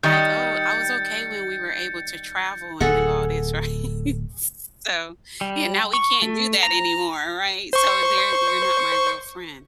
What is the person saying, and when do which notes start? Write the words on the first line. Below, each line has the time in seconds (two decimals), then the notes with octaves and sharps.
like, "Oh, I was okay when we were able to travel and do all this." Right. S so yeah, now we can't do that anymore, right? So there you're not my real friend.
0.03 D#3 G3 D#5 G6 A6 C#7
2.80 D1 G#4 A4 F#5
5.41 G3
5.93 C#6
6.22 A3
6.63 A#5
7.73 C5 C#6